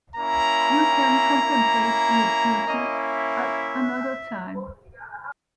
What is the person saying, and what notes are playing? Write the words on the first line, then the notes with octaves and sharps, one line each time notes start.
You can contemplate your beauty at another time.
A#3 C#4 E4 A#5
A#3 C#4 E4
A#3 C#4 E4 D#5
E5